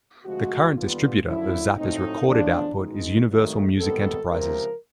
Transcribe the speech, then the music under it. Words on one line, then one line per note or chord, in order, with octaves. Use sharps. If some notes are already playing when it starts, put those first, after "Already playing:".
The current distributor of Zappa's recorded output is Universal Music Enterprises.
D2 C3 F3 G#3 F#4
D#2 D3 G3 B3 F4
F#2 D3 F3 E4
A2 F#3 A3 C4 D#4
E2 C#3 F3 A3 D4
C#2 B2 G#3 D#4
G#1 G2 D#3 F#3 A3
G#1 G2 D#3 G3 B3 A4
C#2 C3 F3 A#4